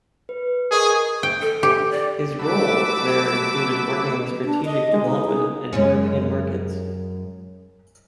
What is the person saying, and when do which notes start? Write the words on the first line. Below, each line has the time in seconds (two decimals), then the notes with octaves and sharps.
His role there included working on strategic development and European markets.
0.29 B4
0.71 G#4 A#4 D#5 C#6
1.23 G5
1.41 A4
1.63 G4
1.91 D5
2.39 F#3 A3 B5 D6 E6
4.45 D4
4.65 D#5
4.92 G#3
5.05 D#4
5.25 G#4
5.73 F#2 G#3 C#4